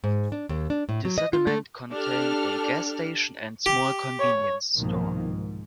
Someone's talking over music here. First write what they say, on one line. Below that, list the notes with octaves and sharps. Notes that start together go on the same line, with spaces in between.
The settlement contained a gas station and small convenience store.
G#2
D4
D#2
D4
A2
F#3
D#5
F4
A3
D4 G4 A4 F6
G4
C#5
C2 G#2 B2 D#3 F3 A#3
G#2